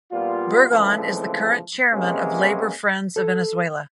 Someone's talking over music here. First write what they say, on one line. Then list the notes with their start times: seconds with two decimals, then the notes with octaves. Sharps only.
Burgon is the current Chairman of Labour Friends of Venezuela.
0.12 A#2 G3 B3 F4
0.71 C#3 E3 F3 G#3 A3 C4
1.93 C3 G#3 A#3 B3 C#4
3.16 A4